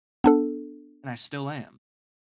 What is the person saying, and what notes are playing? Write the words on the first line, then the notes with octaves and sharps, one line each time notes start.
and I still am.
B3 D4 A4